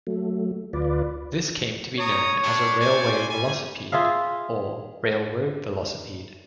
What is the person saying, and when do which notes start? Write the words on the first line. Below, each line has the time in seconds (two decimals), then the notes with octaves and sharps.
This came to be known as a "railway velocipede" or "railroad velocipede".
0.07 F#3 A3
0.73 D2 F4 B4 D5
1.99 C#5 A#5 D#6
2.42 G3 D4
2.80 C5 D5 G#5
3.29 G3 G#5
3.92 F4 G#4 E5 F5